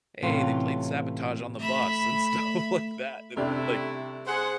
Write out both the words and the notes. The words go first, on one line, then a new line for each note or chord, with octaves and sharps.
"Hey, they played Sabotage on the bus," and stuff like that, and, like,
A2 C3 E3 A3 C#4 F4
A3 E5 B5
C3 G3 A3 D4 E4 F#6
G#4 C5 F#5